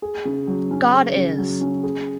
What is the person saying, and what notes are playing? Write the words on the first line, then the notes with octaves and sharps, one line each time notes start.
God is.
G#4
C#3
F#3
C#4
G#4
C#3
F#3
C#4
G#4